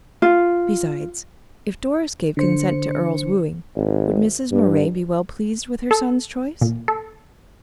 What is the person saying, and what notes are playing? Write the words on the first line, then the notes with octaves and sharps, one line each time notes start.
Besides, if Doris gave consent to Earle's wooing, would Mrs. Moray be well pleased with her son's choice?
F4
D3 C5 C#7
G#1
G2
A4
A#2
A4